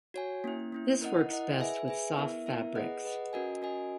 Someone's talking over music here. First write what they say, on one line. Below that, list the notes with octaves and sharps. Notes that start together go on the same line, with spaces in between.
This works best with soft fabrics.
F#4 C#5 G#5
A#3 C#4 E4
A#3 C#4 E4
E4 A#4 D#5 F#5
E4 A#4 D#5 F#5
G#4 B4 E5 G#5
G#4 B4 E5 G#5
B3 E4 A#4 E5
B3 E4 A#4 E5
G#4 B4 D#5 F#5
G#4 B4 D#5 F#5
C#4 F#4 A#4 D#5 G#5
C#4 F#4 A#4 D#5 G#5